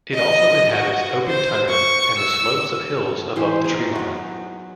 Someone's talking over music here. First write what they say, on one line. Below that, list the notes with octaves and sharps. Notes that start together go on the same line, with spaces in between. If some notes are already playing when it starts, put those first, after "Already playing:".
It also inhabits open tundra and the slopes of hills above the tree line.
D#5
F#4
C5
C#6
E6
E3 E4 G4 C5
B3 D#4 G#4
F#3 F#4